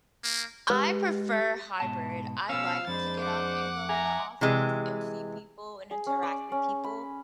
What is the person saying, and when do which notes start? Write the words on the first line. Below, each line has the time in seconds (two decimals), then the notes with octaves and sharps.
I prefer hybrid, I like to get up and go to the office and see people and interact with people.
0.24 A#3
0.70 G#3 G4 B4
1.80 G#2 B2 A5
2.49 B2 F3 C#4 F5 E6
2.87 F2 G#3 D4 C5 B5 A6
3.20 F#5 D6
3.88 E5 G#5 A#5
4.41 C3 E3 G#3
5.91 G#4
6.06 C#4
6.23 D5
6.52 C#4
6.84 B5